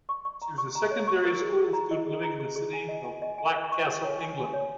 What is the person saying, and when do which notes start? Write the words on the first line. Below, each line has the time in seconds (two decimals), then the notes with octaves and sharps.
She was a secondary school student living in the city of Blackcastle, England.
0.09 C#6
0.25 C#6
0.42 A#5
0.58 C#6
0.75 A#5
0.91 C#5
1.07 C#6
1.25 A#4
1.41 G#4
1.57 G#4
1.73 A#5
1.91 D#5
2.07 G#4
2.23 A#5
2.40 G#4
2.56 G#4
2.73 G#5
2.88 D#5
3.05 G#5
3.22 D#5
3.38 G#5
3.55 D#5
3.72 C#6
3.88 G#5
4.04 C#5
4.21 G#5
4.37 G#5
4.53 C#5